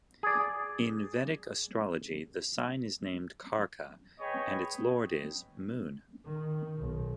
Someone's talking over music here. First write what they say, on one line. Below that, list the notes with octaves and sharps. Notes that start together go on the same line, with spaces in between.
In Vedic astrology the sign is named Karka and its Lord is Moon.
G#4 D5
G#4 B4 C#5 D#5 G5 B5
D#3
B1